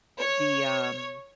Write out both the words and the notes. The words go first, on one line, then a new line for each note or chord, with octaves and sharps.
the, um
C#5